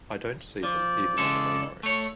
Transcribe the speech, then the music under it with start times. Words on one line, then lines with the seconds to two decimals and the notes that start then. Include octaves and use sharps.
I dont see them even on the mainroads.
0.63 F3 D5
1.18 C#3 G#3 A4
1.83 A3 C#5